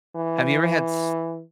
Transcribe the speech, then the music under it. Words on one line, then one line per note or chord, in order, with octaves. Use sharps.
Have you ever had s
E3